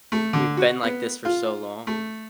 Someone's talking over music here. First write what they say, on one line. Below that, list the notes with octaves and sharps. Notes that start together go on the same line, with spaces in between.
We've been like this for so long.
A3
D3
F#4
B3
F4
A3